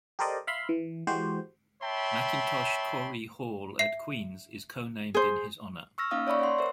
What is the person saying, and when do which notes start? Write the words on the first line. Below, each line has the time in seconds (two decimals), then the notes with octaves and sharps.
Mackintosh-Corry Hall at Queen's is co-named in his honour.
0.19 G4 A4 A#4 C5 D5 D#5
0.47 E5 F5 B5 C6
0.69 E3
1.07 E3 G#3 F#4 G4 C5
1.82 C#5 E5 G5 A5 B5 C6
3.79 E5 C7
5.14 G#4 C5
5.98 C#6 E6 F6 A#6
6.11 A#3 C#4 D#4 F5 D#6 A#6
6.27 C#5 D5 E5 B5 C#6
6.39 C#5 F#5 C6
6.58 A#4 C5 E5